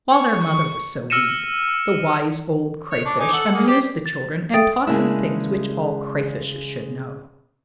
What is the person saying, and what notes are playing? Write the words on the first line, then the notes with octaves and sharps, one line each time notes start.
While their mother was so weak, the Wise Old Crayfish amused the children, and taught them things which all Crayfishes should know.
C#5
C#6
E6 F6 A#6 C#7 D#7 E7
C#5
D4
D#4 G#5 D6
A4 F#5
G#3 A#3
G4 C5 D5
A6
A4 E5 G5 D#6 A6 D7
C#3 G#3 A#3 D4 E4